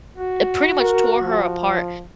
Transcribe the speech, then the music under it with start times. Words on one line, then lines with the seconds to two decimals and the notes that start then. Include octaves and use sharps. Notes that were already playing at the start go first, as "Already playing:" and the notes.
it pretty much tore her apart.
0.17 F#4
0.81 A#4
1.22 F3